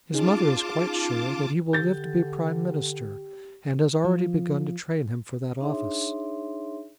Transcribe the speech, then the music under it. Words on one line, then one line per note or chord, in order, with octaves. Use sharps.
His mother is quite sure that he will live to be Prime Minister, and has already begun to train him for that office.
C#4 D#4 F4 G#4 A5 D6
D3 G4 G6 A6
F3
D4 D#4 G#4 C#5 E5 C6